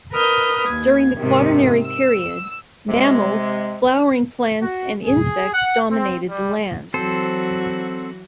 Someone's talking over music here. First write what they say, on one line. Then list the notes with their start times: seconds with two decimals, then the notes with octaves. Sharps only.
During the Quaternary Period, mammals, flowering plants, and insects dominated the land.
0.13 A#4 B4 D#6 F6 G6
0.68 D#2 G#6
1.16 G#2 C3 D#3
1.83 E6
2.89 C3 G#3
4.62 F#4
5.05 G#4
5.52 F#5
5.90 C4
6.28 G3
6.94 E3 F#3 C4 F#4 A4 C5